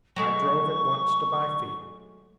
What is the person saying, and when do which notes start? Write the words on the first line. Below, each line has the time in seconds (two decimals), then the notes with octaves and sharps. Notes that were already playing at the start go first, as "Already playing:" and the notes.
I drove at once to Byfield.
0.16 F#3 G#3 A3 C#6